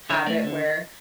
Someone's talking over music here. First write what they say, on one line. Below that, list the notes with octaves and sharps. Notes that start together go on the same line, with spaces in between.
habit where
D3 C#5 E5
A3 A#4 D5
D3